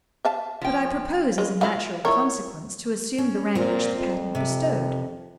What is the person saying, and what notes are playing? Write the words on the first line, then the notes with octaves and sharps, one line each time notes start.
But I propose, as a natural consequence, to assume the rank which the patent bestowed.
E5 F5 A5
F3 G5
C#3 G#3 F4
F#3 E4 F4 F5
E4 F4 A#4 C#5
C#4
A#2 C4 F4
F2
C3